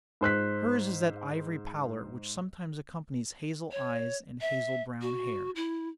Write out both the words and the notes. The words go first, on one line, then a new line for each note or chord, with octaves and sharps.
Hers is that ivory pallor which sometimes accompanies hazel eyes and hazel-brown hair.
G#2 C5 F#6 B6
C#5
E5
F#4
E4